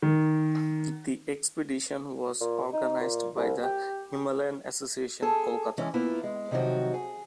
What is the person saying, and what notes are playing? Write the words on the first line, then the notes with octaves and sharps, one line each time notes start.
The expedition was organised by the Himalayan Association, Kolkata.
D#3
A#2
D#4
A#2
C2
G4
G#4 A4
E3 G#3 C#4
A#3 B3 E4 F4
G#3
C3 D#3 F3 F#3 F#4
G#4